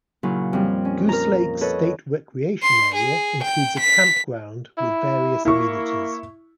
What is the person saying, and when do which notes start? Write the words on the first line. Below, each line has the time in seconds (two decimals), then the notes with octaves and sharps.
Goose Lake State Recreation Area includes a campground with various amenities.
0.23 A#2 C#3 F#3 E4 F4
0.53 F2 G3
0.85 C#4
1.09 A#4 A#5
1.61 A4 B4 C#5 D#5
2.62 C6
2.95 G#4
3.43 G5
3.79 B6
4.77 E4
5.45 A#3 E4 C#6